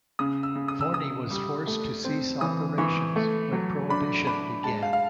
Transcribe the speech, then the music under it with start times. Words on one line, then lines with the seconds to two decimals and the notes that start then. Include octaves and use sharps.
Forni was forced to cease operations when Prohibition began.
0.19 C#3 D#6
0.43 E6
0.55 C#3
0.68 D#6
0.81 E6
0.92 C#3 D#6
1.30 G3
1.67 A3
2.04 C4
2.41 E3 D#6
2.78 E3 C#6
3.16 A3
3.52 F#3
3.89 D4 B5
4.27 D4 B5
4.64 G#3 A5
4.83 F5
4.93 F5